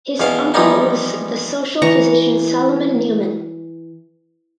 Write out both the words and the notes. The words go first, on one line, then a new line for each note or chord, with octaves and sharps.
His uncle was the social physician Salomon Neumann.
E2 B2 F5
E3 F3 G3 A#3 B3 D#4
E3 A#5 C#6